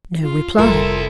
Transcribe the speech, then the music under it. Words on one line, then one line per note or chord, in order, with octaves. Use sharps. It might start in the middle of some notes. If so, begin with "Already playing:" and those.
No reply.
F4
F1 C2 G3 E4 F4 A4 A#4